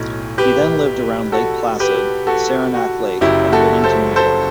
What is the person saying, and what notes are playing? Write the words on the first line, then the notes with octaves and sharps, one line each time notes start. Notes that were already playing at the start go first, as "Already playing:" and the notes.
He then lived around Lake Placid, Saranac Lake, and Wilmington, New York.
Already playing: B1 A2 F#3
G4 B4
F#4 A4
G4 B4
F#4 A4
F#4
F#1 F#2 F#3 E4 G4
F#4 A4
A4 C5
A4 C5